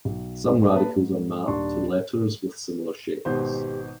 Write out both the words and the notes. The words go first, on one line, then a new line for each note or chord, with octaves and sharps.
Some radicals are mapped to letters with similar shapes.
B1
A#3 B4 A5
G#2
D#1 D#2 D4 D5 C6 C#6
G#1 B2 G4 C5